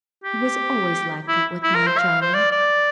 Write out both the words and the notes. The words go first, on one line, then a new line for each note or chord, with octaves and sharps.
It was always like that with my John.
G4
E4
E4
A#4
C5
F5
C5
D5
D5